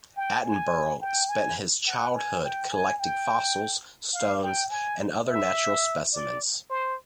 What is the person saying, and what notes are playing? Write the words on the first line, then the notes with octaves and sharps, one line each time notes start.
Attenborough spent his childhood collecting fossils, stones and other natural specimens.
G5
G#5
G5
G#5
F#5
G#5
G5
G#5
G5
F5
G5
G#5
E5
D5
C5